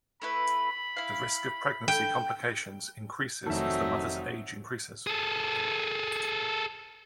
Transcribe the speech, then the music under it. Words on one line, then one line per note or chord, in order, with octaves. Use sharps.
The risk of pregnancy complications increases as the mother's age increases.
A3 E4 B4 B5
E4 F5
G5
F1 D#3 F#3 A3 C4 D#4 A4 E5
G#4 A4